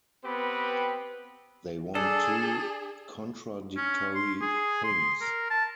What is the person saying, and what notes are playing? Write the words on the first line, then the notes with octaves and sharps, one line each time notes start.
They want two contradictory things.
B3 C4 G4 B4
D4 G#4 A4
C#4
C6
G#4
C6
A#4
A5